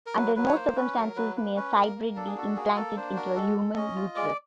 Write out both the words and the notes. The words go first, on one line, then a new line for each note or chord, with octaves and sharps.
Under no circumstances may a cybrid be implanted into a human uterus.
A#4
F#3 B4
F#3 B4
C#5
A#3 C5
C#4 B4
F#3 A#4
F#3 B4
A#3 B4
C#4 B4
A#3 A#4
A#3
D4 A4
G#4
F#4 A4
A#3 G#4
A#3 A4
D4 C5
F#4 A#4
G#3 A4
G#3
C#4 D#5
F4
G#3 D5